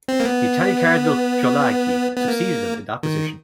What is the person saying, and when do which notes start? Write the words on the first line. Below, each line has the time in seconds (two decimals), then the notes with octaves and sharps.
The Italian Cardinal Pio Laghi succeeded him in that position.
0.08 C4
0.20 A#3
0.25 B3
2.16 B3
2.28 A#3
3.03 D#3